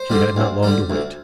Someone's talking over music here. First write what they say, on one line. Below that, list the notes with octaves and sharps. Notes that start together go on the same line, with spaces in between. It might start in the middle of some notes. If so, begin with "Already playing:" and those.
She had not long to wait.
Already playing: C5
D3 G3
D2
D3 G3
D2